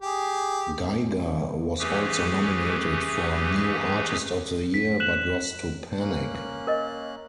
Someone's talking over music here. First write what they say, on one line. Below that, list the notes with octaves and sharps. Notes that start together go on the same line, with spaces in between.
Geiger was also nominated for "New Artist of the Year" but lost to Panic!
G4 G#4
E3 A3 C#4 G4 G#4 B4
B6
F#6 B6 E7 F#7
A#3 C#4 F#6
A#4 D#5